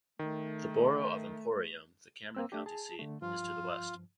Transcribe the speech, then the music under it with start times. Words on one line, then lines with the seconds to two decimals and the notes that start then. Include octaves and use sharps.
The borough of Emporium, the Cameron County seat, is to the west.
0.19 D#3 A3
2.35 A#3 C4 E6
2.52 A3 D4 G4
2.66 G#4 A5
2.99 D3 A3
3.22 G2 F3 F4